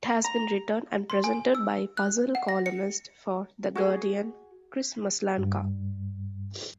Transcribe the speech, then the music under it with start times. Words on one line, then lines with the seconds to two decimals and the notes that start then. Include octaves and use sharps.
It has been written and presented by puzzle columnist for "The Guardian", Chris Maslanka.
0.24 A#5
1.10 C6
1.24 G#5
1.55 E6
1.97 F#6
2.35 F#5
2.49 A#6
2.66 C#7
3.75 F#4 G#4
5.38 G2